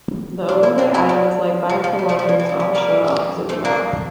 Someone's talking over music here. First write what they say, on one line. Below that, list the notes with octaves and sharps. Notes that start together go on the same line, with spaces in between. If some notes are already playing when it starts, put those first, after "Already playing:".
The Open Bay Islands lie five kilometres offshore opposite the mouth.
D4 F4
C4 E4
A#3 D4
C4 E4
G3
F3
F3
G3
F3 A3
G3
E3
E3
F3
G3
G3 A#3
A3 C4
A#3 D4